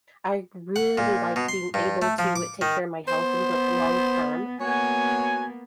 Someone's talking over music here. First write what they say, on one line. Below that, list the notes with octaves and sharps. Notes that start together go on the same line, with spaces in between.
I really like being able to take care of my health and look long term,
F#5
A#2
B2
C6
G2
A3
F3
D6
D#3
B3 C5
A#3 B3 F#4 C#5 G#5